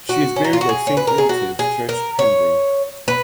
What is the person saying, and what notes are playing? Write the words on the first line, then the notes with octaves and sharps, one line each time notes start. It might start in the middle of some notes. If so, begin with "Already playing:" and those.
She is buried at Saint Illtyds Church, Pembrey.
F#4
C#4
D#4
F4
F#4
G#4
C#5
B4
A#4
G#4
F#4
G#4
A#4
C#5
B4